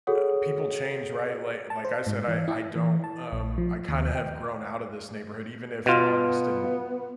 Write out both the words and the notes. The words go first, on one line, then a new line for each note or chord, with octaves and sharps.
uh, people change, right? Li like I said, I I don't, um I kinda have grown out of this neighborhood even if the artists didn't,
F#4 G#4 A4 C#5 F#5 D#6
A5
C5
G#2
E3
E4
E3
A5
A#1
F3
D#2
G5
B2 B3 F4